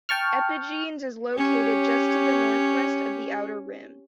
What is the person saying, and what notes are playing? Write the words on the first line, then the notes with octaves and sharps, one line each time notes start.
Epigenes is located just to the northwest of the outer rim.
G5 A5 C#6 F6
C#4 G4 C#5